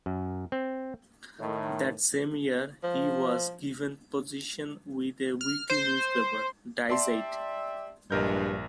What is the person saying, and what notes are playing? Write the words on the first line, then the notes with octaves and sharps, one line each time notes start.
That same year, he was given position with a weekly newspaper: Die Zeit.
F#2
C4
A2 D#3
F3
F6
C5
G4 D5 E5 A5 C6
A#1 G2 E3 G#3 A#4 G6